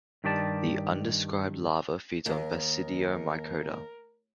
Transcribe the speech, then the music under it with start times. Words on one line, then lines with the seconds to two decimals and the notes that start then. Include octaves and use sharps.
The undescribed larva feeds on Basidiomycota.
0.24 G2 D#3 G4 D5 A5
2.26 D#2 A#4